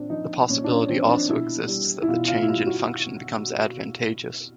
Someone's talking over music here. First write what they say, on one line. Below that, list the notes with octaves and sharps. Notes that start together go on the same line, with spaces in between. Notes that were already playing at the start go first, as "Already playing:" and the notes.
The possibility also exists that the change in function becomes advantageous.
Already playing: A#2 C4 D4
F3 D#4
A#2 C#4
D4
C#4
F3 C4
D4
B2 E4
G3
E4
B2 F4
F4
E4
G3 F4
F#4